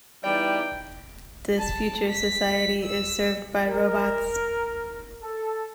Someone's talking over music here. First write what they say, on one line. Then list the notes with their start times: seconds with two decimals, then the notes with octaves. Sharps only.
This future society is served by robots.
0.24 E2 E3 G3 D#4 D5 G5
1.58 A5
2.09 B6
2.84 E6
3.68 A#4
5.23 A4